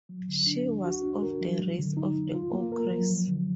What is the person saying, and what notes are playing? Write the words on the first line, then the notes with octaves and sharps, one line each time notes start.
She was of the race of the ogres.
F#3
D3
D4
D2
F#4
D4
A#4
F#3
G#3
D3
D#4
F2
F4
A#3
A#4
F#3
F3
D3